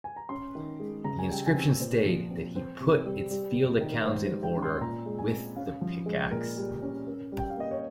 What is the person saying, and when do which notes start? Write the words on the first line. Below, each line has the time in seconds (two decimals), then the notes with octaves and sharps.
The inscriptions state that he "put its field accounts in order" with the pick-axe.
0.04 G#5
0.16 A#5
0.29 C#4 C6
0.55 D#3
0.80 G#3
1.04 C#3 A#5
1.19 G#5
1.30 G3 G5
1.46 G#5
1.55 C4
1.80 A#2 C5
2.05 F3
2.30 C4
2.55 C4 C5
2.80 C3
3.05 G3
3.31 G3
3.56 C3
3.80 D#3
3.92 A#4
4.06 G#2 C5
4.25 C5
4.31 G3
4.43 G5
4.56 C#4
4.62 C6
4.81 A#2 A#5
5.06 G#3
5.19 G#5
5.32 C4
5.56 C#4 F5
5.81 F3
6.06 G#3
6.31 A#2 A#4
6.57 G3
6.82 C#4
7.07 C#4 A#4
7.32 G3
7.39 G5
7.50 F5
7.57 A#3 D#5
7.71 C#5